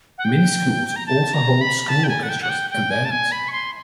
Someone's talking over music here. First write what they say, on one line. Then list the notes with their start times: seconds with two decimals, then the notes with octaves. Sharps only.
Many schools also hold school orchestras and bands.
0.18 F#5
0.25 G5
0.96 A#5
1.06 A5
1.34 A#5
1.61 B5
1.88 A5
2.04 G5
2.08 G#5
2.23 F#5
2.29 G5
2.42 F#5
2.49 G5
2.70 G5
2.91 G#5
3.05 A5
3.11 G#5
3.32 B5
3.48 C#6
3.52 C6